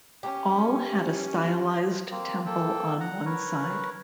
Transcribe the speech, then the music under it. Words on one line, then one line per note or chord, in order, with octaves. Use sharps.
All had a stylised temple on one side.
C#4 G4
A#3 C4
A#3 A4 G5
F#5 A#5
A#4 B4 C#5